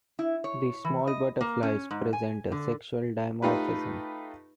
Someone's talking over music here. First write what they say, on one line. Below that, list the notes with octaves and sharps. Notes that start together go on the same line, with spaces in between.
These small butterflies present a sexual dimorphism.
E4
C#5
E3
D#5
A#3
C#4
G#2
G#5
D3
A3 D#4 F4 G4 B4